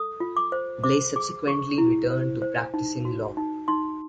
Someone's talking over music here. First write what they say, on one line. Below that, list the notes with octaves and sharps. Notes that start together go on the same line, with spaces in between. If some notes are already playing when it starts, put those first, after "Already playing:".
Blais subsequently returned to practicing law.
Already playing: A4 D#6
F4
D6
C5
C5 D6
G#4 D6
G#4 C#6
E4
C5
C5
D#4
F#4
D#4
D#4 C6